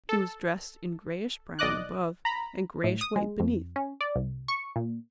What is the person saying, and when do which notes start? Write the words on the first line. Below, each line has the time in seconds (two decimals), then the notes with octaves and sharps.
He was dressed in grayish-brown above and grayish-white beneath.
0.09 A4
1.59 B1 D5 D#5 D6 F#6
2.25 A#5 B5
2.84 A2
3.01 D#6
3.16 G#3
3.40 F2
3.76 C#4
4.01 D5
4.16 C2
4.48 C#6
4.76 A#2